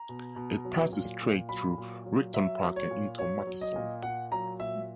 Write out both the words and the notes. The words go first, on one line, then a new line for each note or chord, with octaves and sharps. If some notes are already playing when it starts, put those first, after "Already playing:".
It passes straight through Richton Park and into Matteson.
Already playing: A#5
B2
B2
F#3
A#2
A#2
F#3 B5
A#2
F#3
F#3 E5
F#3
C#5
A#2
F#3 C#5
F#3
D#5
A#2
A#2 F#5
F#3 A#5
A#2 E5